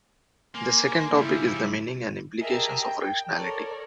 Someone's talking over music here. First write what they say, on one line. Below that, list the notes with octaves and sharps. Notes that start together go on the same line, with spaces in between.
The second topic is the meaning and implications of rationality.
A#3 G#5 C6
C#3 G3 E4
G4 G#4 A#4 D#5 E5 A5
G5
A4 A#4 C#5 D5